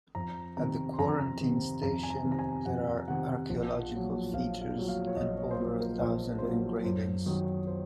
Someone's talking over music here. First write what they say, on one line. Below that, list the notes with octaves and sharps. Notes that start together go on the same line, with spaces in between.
At the Quarantine Station there are archaeological features and over a thousand engravings.
F2 A#5
C3 D#3 A#5
C6
F2 A#5
C3 D#3
F2 A#5
G#5
A#5
C3 D#3
A#5
G#5
F2 F#5
C3 D#3 F#5
A#1
A#2 F#3
A#1 F5
F5
A#2 F#3
F5
C#5
A#1 D#5
C#5
C5
A#2 F#3 C#5
A#4
A#1 C5
C5
A#2 F#3 A#4
F#2 C5
D#3 F#3
C5